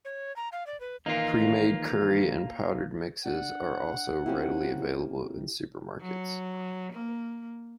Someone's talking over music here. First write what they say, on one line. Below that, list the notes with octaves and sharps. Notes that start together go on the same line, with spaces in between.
Premade curry and powdered mixes are also readily available in supermarkets.
C#5
A#5
F5
D5
B4
D#3 E3 A#3 D#4 F4
D4 F#5
A#3 C4 C#4 E4 G4
F#3
A#3